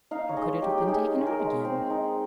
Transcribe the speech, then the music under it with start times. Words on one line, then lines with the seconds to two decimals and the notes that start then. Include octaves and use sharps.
How could it have been taken out again?
0.11 D#4 F5
0.29 C#5
0.37 G#3 D#5
0.62 D#4 G4
0.78 G4
0.88 D#4 G#4
1.14 G#3
1.21 G#4
1.27 A#4
1.39 G#3
1.65 C4 C5
1.90 D#4